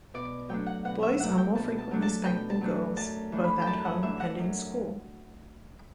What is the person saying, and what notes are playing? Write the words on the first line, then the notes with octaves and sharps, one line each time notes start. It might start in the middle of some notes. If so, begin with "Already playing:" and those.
Boys are more frequently spanked than girls, both at home and in school.
B2 D5
F#3 A3 D4 G5
F#5
B2 F#5
E5
F#3 A3 D4 F#5
G5
B2 A5
A5
F#3 A3 D4
A5
B2 G5
A5
F#3 A3 D4
F#2 A5
E3 A3 D4
B5
G5
F#2 A5
F#5
E3 A3 D4 E5
F#5
F#2